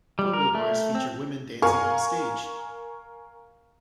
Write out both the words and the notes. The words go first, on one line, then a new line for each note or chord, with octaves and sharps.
Go-go bars feature women dancing on a stage.
G3
A#4
A3
C4
A#4 F5 G#5 C#6 F6